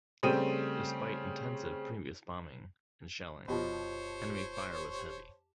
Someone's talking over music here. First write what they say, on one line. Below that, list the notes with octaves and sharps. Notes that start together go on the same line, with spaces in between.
Despite intensive previous bombing and shelling, enemy fire was heavy.
C#3 G3 A3 C4 G5 D#7
D#1 F2 B2 F3 G4 C5 C#5 A5